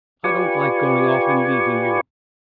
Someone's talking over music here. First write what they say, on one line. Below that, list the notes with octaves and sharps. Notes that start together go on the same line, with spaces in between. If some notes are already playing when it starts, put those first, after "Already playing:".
"I don't like going off and leaving you."
F4 G4 B4 D5 G#5 C#6